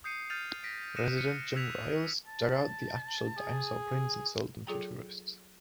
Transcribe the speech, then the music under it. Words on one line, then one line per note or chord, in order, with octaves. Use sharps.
Resident Jim Ryals dug out the actual dinosaur prints and sold them to tourists.
D#6 G6 C7 C#7 D#7
F6 G6 A6 D#7 F7
A#6 B6 D7
D#6 F#6 A#6 C#7 D#7 E7
F6 C#7 D#7
E6 F#6 G#6 B6 F7
A5
G#4
F#3 F4 G#4 A4 G5 A#5